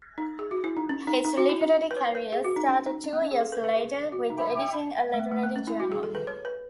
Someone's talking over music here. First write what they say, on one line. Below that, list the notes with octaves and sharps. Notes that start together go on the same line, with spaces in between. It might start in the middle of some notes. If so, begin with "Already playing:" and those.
His literary career started two years later with editing a literary journal.
D#4
G#4
F#4
E4
D#4
C#4
D#4
D#4
F#4
E4
D#4
B4
C#5
B4
G#4
F#4
D#4
C#4
D#4
C#4
B3
C#4
G#4
A4
B4
B4
G#4
F#4
D#4
A3
B3
A3
B3
C#4
E4
F#4
G#4
A4
B4
C#5
B4